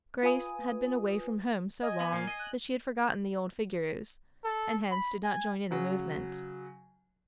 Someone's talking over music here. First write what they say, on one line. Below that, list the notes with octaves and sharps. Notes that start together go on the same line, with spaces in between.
Grace had been away from home so long that she had forgotten the old figures, and hence did not join in the movement.
F4 B4 G#5 D#6
D#5 G#5
B3
A#2 A#3 C7
D#5
F#6
A4
B5
G#5
C#3 F#3